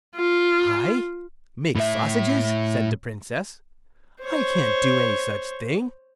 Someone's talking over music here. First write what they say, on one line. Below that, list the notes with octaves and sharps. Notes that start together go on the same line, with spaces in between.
'I make sausages!' said the Princess; 'I can't do any such thing.
F4
A2 E5
C5 C#5